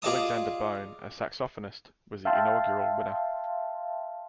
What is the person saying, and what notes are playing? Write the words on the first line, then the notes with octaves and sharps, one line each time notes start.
Alexander Bone, a saxophonist, was the inaugural winner.
F4 G#4 D5 D#5 A5 D#6
E5 F5 G5 A5 C6